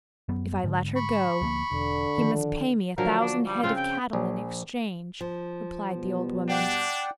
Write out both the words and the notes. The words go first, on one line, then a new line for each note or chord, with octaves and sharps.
'If I let her go he must pay me a thousand head of cattle in exchange,' replied the old woman.
F#2 F#3 B3
G#2 D3
B5 C#6
D2 F3 A#3
E1 D3
D#3 F3
D3 F3 F#3 A#4
D4
G3
C#3 C4 F4
G5
A#1
F3
B2 G3 B3
D4 D5 F#5 G5